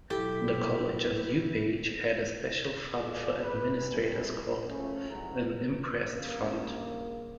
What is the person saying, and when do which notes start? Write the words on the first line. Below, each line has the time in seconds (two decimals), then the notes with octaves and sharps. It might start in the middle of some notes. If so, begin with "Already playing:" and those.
The College of DuPage had a special fund for administrators called an imprest fund.
0.10 B2 F#3 E4 G4 A4
2.99 F4 F#4 G#4 A4 D5 D#5
3.40 B4
3.79 C2
4.68 A2 F3 A3 C#4
5.09 G1 C2 G#2 C#3 F#3 A#5
6.11 G2 C#3 A#3